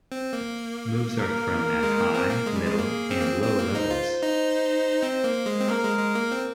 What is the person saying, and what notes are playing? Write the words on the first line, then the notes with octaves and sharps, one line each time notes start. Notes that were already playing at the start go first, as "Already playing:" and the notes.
Moves are thrown at high, middle, and low levels.
C4
A#3
A#4
G#3
A#3
C4
A#3
G#3 G#4
G3
G#3
A#3
C4
A#3
C4
C4
A#3
D#4 C5
F4
D#4
C4
A#3
G#3
C4
A#3 A#4
G#3
G#3
A#3
C4